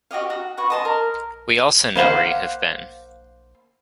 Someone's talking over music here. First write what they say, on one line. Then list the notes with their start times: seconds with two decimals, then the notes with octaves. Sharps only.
We also know where you have been.
0.11 F#4 G4 D#5 F5
0.30 F#4
0.57 F#4 B4 C#6
0.70 D#5 A5 C6
0.85 A#4
1.95 A#3 C5 F5 F#5